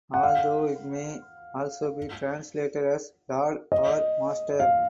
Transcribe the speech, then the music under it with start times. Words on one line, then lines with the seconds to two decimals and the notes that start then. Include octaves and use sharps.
Although it may also be translated as "Lord" or "Master".
0.14 F#5
0.23 F5
3.72 D#5
4.60 F5